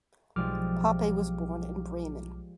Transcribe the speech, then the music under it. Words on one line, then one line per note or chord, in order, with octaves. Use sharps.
Pape was born in Bremen.
B1 F3 G3 G#3 D6 F6